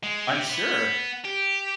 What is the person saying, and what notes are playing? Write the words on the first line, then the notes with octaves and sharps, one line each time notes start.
I'm sure!
G#3
C3
B3
G4